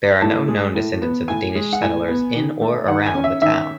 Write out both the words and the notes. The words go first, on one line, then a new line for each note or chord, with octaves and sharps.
There are no known descendants of the Danish settlers in or around the town.
A2 A5
G#3
A2
B3
A2 G#5
G#3
F#5
A2 G#5
B3
D#3
A3
D#3 F#5
G#5
C#4
E5
D#3 E5